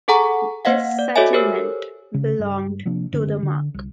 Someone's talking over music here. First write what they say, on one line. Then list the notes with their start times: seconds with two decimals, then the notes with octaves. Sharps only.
This settlement belonged to the Mark.
0.08 G#4 A4 F#5 G#5 A#5 C#6
0.65 A#3 C5 D#5 F5 F#5
0.99 D5
1.16 F#4 A4 C#5 D#5 E5 G#5
1.33 G4 A4 A#4 C5 C#5 E6
2.14 C#3
2.39 G2
2.85 C3 F3 A#3 D4
3.12 F#1 D3 C#4
3.43 D3
3.74 C2